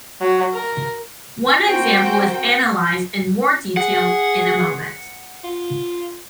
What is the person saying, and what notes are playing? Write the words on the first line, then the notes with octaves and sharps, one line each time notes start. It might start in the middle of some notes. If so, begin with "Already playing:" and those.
One example is analysed in more detail, in a moment.
F#3
A#4
C4 F#4 A#4 C5 G5 G6
G#4 F#5
F4